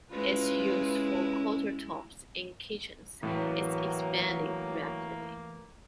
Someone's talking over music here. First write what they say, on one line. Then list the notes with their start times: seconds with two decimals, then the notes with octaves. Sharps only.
Its use for countertops in kitchens is expanding rapidly.
0.12 G#3 C#4 E4 F4 B4
3.23 A2 E3 F#3 A3 A#3 B4